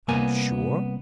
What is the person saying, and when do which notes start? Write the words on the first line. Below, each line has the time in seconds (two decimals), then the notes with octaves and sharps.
"Are you sure?"
0.08 C2 A#3 B3 A#4 G#5